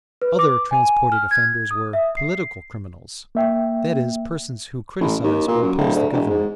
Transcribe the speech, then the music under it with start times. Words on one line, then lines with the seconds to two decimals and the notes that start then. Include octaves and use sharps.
Other transported offenders were "political criminals"; that is, persons who criticized or opposed the government.
0.22 B4
0.39 D6
0.71 G#5
1.12 F6
1.31 G#6
1.71 D#6
1.93 E5
2.17 C7
3.35 A#3 E5 G5
5.00 A1
5.23 D#2
5.47 A#2
5.62 F#2
5.78 D1
5.95 D2
6.13 E1
6.29 G#2